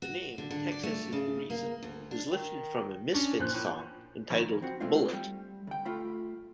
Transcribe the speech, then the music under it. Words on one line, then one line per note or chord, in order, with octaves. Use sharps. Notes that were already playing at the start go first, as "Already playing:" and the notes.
The name "Texas Is the Reason" is lifted from a Misfits song, entitled "Bullet".
F#4
D3
D3
D5
A3
C#3
A#3
D2
D4
D#3
C#4 D4
A#2 F3 F#6 G6
A2
B1 D#3 F3 A#4 C#5 B5
C4 F#4
G#3 A3 C4 D4 F4
G3
D2 G5
A3 F4 B5